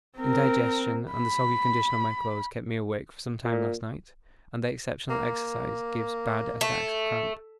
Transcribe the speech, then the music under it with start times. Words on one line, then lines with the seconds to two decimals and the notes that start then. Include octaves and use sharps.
Indigestion and the soggy condition of my clothes kept me awake for some time last night, and the exceptional exercise gives bad attacks of cramp.
0.18 C4 A#4
1.12 B5
3.44 A#2
5.10 A#3
6.61 A3